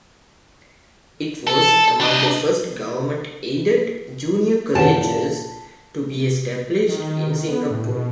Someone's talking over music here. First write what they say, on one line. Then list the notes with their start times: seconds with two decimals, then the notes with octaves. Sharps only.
It was among the first government-aided junior colleges to be established in Singapore.
1.47 A4
2.01 D4 D#5
4.75 F#2 A#2 D#3 B4 C#5 F#5 A5
6.89 D#3
7.48 B3
7.71 A2
7.89 B2